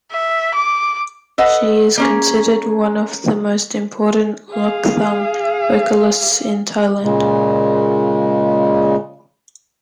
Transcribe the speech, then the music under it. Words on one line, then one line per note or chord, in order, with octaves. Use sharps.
She is considered one of the most important Luk Thung vocalists in Thailand.
E5
D6
A4 B4 D#5 F#5
A#3 C#4 G#4
G#4 F5
A#2 C#3 G#3